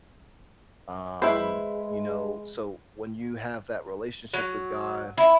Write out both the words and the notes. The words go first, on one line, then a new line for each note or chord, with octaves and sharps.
um, you know, so when you have that relationship with God,
G#3 E4 B4 C5
F#3
E4